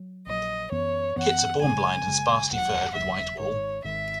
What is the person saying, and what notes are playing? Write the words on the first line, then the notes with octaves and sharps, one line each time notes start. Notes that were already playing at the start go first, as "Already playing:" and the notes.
Kits are born blind and sparsely furred with white wool.
Already playing: F#3
A#1 A#2 F#3 D#5
F#2 E3 B3 C#5
F#2 E3 B3 F#5
F#1 E2 C#3 G#3 G#5
F#1 E2 C#3 G#3
E1 D#2 C#3 F#3 F#5
E1 D#2 C#3 F#3 E5
G#1 G#2 D#3 C#5
G#1 G#2 D#3 E5